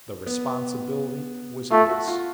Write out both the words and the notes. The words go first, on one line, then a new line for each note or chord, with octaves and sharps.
The responsibility was his.
B3
A3 F4
F#4
F4